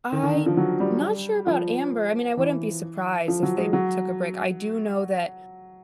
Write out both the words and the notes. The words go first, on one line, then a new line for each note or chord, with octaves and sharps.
I not sure about Amber, I mean, I wouldn't be surprised if they took a break. I do know that,
D#3
D#3
D3
F3
F#3
G3
F3
E3
F3
F#3
G#3
F#3